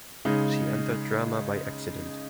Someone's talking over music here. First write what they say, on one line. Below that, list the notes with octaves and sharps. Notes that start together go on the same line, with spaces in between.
She entered drama by accident.
C#3 G#3 D#4